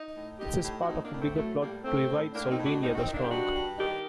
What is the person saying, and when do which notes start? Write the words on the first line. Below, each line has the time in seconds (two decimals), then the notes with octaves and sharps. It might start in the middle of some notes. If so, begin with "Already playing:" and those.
This is part of a bigger plot to revive Solvania the strong.
Already playing: D#4
0.15 A2
0.39 A2 D#4 G4
0.63 A2
0.82 F#4
0.87 A2 C4 D#4
1.03 A#3 D4
1.12 A2
1.20 A3 C4
1.36 A2 F#3 A3
1.60 A2 G3 A#3
1.84 A2 A3 C4
2.08 A2
2.33 A2 A#3 D4
2.49 C4 D#4
2.57 A2
2.65 D4 F#4
2.81 D#3 C4 D#4
2.93 F#4
2.97 C4 D#4
3.05 D#3
3.13 A#3 D4
3.23 G4
3.30 G2 D4 F#4
3.54 G2
3.78 D#3 D#4 G4